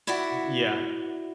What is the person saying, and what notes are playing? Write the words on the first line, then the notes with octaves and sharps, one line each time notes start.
Mm, yeah.
E4 F#4 D5 E5 F#5